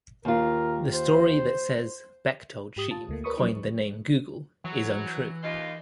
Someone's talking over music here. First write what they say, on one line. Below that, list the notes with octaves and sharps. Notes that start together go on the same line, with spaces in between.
The story that says Bechtolsheim coined the name "Google" is untrue.
D#2 F4 A#4
C5
G#2 G4 D#6
F4 A5
D2 A3 A#3
A#4 B4 C#5 B5 C#6 D#6
F3 F#3 C#4 D#4
E3 F#3
D#2 F4 D#5